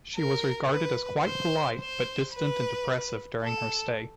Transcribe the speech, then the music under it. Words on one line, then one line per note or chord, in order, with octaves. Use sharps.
She was regarded as quite polite but distant and depressive during her stay.
A#4
B4
C5
C5
B4
A4